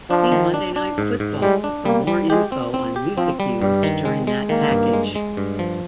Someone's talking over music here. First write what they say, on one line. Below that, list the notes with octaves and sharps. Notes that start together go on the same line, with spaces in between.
See "Monday Night Football" for more info on music used during that package.
F3 D4
D#3
D4
D4
G#2
G#2
G3 G#3
D4
G3 A#3
G3
G#3 G4
C4
C4
G4
F3 C4
G3
G2 G3
D#3
G#3
G#3
D#3 A#3
G2
G#3
G#3
G2
F3